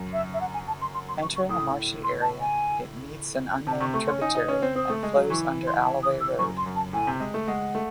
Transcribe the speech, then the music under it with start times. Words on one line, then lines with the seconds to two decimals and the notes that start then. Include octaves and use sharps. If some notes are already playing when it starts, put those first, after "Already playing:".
Entering a marshy area, it meets an unnamed tributary and flows under Alloway Road.
Already playing: F#2
0.13 E5
0.34 E5
0.41 F#5
0.54 G#5
0.67 A5
0.81 C6
0.94 C6
1.08 C6
1.22 C#6
1.36 C#6
1.49 A2 D#6
2.04 C6
2.22 A5
2.40 G#5
3.67 C3 A5
3.80 C3 C#6
3.94 A3 C#6
4.07 C#4 C6
4.21 D#4 G#5
4.35 D#4
4.48 C#4
4.62 C4
4.75 C4 D#6
4.90 A3
5.03 G#3
5.16 F#3
5.30 E3 C#6
5.67 C6
5.84 A5
6.03 D#6
6.21 E6
6.39 F#2 C#6
6.57 C6
6.66 F#2
6.76 A5
6.93 A2 G#5
7.07 C3
7.20 G#3
7.34 A3
7.47 G#3 F#5
7.75 A3